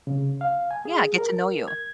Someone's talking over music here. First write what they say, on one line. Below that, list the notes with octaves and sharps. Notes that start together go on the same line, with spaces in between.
yeah get to know you.
C#3
F5
G#5
G#4
A#4
G#6